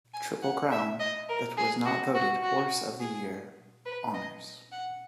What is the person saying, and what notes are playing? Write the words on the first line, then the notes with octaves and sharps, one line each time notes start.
Triple Crown that was not voted "Horse of the Year" honors.
G#5
F#5
E5
D#5
A#4
G#4
F#4
F#4
F#4
G#4
B4
D#5
F#5